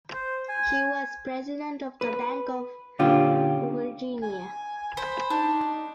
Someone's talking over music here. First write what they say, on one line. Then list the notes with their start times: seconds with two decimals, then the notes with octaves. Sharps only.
He was president of the Bank of Virginia.
0.13 C5
0.49 G#5
2.01 B4
2.99 A#2 D3 C#4 F4 G4
4.22 G#5
4.97 C5 B5
5.30 D4 D#4